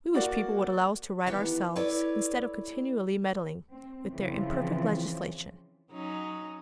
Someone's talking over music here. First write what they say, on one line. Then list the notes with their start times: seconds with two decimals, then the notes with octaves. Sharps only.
We wish people would allow us to right ourselves, instead of continually meddling, with their imperfect legislation.
0.14 A#3 F#4 D5
1.26 D#3 E3 B3 G4
1.76 E4 A4 B4 C#5 D5
3.70 C4
4.11 C#3 E3 F3 C4
5.92 F#3 C#4 D#4